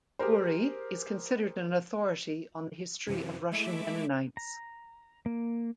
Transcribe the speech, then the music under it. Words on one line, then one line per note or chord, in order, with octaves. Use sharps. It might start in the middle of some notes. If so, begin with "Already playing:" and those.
Urry is considered an authority on the history of Russian Mennonites.
G4 G#4 A#4 C5
F#2 C3 E3 F3
G#3 A3 E4 E5 D6
A#5
A#3